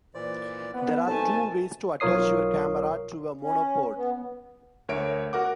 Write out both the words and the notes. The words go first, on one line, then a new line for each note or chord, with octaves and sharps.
There are two ways to attach your camera to a monopod.
A#2 E3 C5 D5
B3 C5 F#5
B2 A3 C4 D#4 A4 A#4 G#5 A5
B1 F4 A#4 C#5 D#6 C7
C#4
B3
D2 A#4 C#5 E5 D7
F#4 A#4 F#5 D6